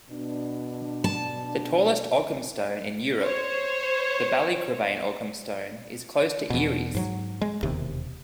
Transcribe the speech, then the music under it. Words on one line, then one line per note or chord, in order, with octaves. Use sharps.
The tallest Ogham stone in Europe, the Ballycrovane Ogham Stone, is close to Eyeries.
B2 D4
A5
C5 C#5
E2 B2
G#2 F#3
G#3
E1 D#2 C3